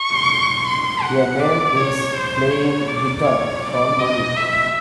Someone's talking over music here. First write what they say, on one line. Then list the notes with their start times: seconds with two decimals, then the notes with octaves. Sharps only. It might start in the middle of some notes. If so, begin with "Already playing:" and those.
A man is playing guitar for money.
Already playing: C#6
0.66 C6
1.03 F#5
1.40 D5
1.77 C#5
2.14 C5
2.51 C#5
2.88 D5
3.25 C#5
3.62 D5
3.99 D#5
4.36 E5